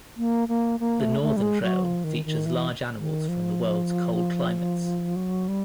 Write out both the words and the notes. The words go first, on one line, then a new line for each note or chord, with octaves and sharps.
The Northern Trail features large animals from the worlds cold climates.
A#3
A#3
A#3
A3
A3
G3
G#3
F#3
F3
D#3
D#3
E3
D#3
F3
F#3
G3